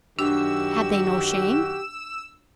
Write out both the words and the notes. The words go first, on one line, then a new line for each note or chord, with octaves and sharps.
Had they no shame?
F#2 D#3 D4 F#4 G4 E6